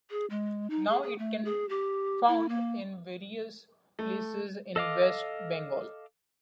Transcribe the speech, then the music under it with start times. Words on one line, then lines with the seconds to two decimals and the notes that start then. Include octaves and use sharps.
Now it can found in various places in West Bengal.
0.11 G#4
0.30 G#3
0.70 D#4
0.90 G#4
1.03 G#4
1.18 A3
1.45 G#4
1.69 G4
2.28 E4
2.49 A#3
3.99 A3
4.76 A4 D#5 F5 D6